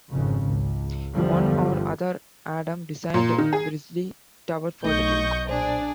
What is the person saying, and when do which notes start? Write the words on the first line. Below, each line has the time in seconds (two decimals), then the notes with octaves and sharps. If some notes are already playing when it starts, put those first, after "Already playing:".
One or other Adam designed Brizlee Tower for the duke.
0.11 G#1 F2 C#3
0.47 C#2
1.15 G1 E2 D3 F3 G3
3.14 A#2
3.38 D#3
3.53 G#4
4.84 B1 A3 D#4 D#5 C#6 G6
5.49 A#2 D4 G#4 C5 D5